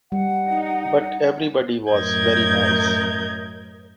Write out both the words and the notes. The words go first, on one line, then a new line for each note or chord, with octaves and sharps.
But everybody was very nice.
G3 F#5
D#4
F#2 A2 A#4 D#5 G6 G#6